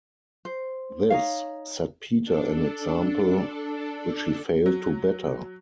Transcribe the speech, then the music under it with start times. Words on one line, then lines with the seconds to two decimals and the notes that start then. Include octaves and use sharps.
This set Peter an example which he failed to better.
0.45 C5
1.10 D#4 C#5 F5
2.25 D4 A4
4.66 F#3